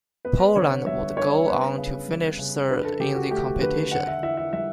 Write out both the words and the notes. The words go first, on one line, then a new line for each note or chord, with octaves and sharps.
Poland would go on to finish third in the competition.
B3 B4
D3 C#5
G3 E5
D4 C#5
B3 B4
C#3
G3
C#3
D4 B4
A4
D3 G4
F#4
A3 G4
D3 B4
D4 F#5
E5
E3 E5
E5
G3 E5